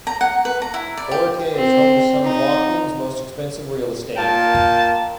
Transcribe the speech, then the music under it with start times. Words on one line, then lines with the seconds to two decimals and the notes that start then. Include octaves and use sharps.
Orakei is home to some of Auckland's most expensive real estate.
0.07 A#5
0.21 F#5
0.45 B4
0.62 A#5
0.74 E4
0.97 D5
1.11 G4
1.55 C4
2.25 D#4
4.17 A#2 A#4 F5 G5 A5